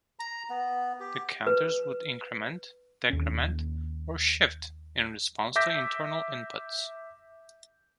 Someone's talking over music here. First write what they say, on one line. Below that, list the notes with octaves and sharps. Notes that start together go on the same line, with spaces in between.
The counters would increment, decrement, or shift in response to internal inputs.
A#5
B3
G4
B4
D#2 C#4
E5 D6 G6 A#6 B6